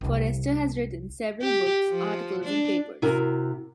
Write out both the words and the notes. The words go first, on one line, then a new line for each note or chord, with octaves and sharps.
Forrester has written several books, articles and papers.
C2 E4
G4
F3
D4
C3 E4 F#4 A#4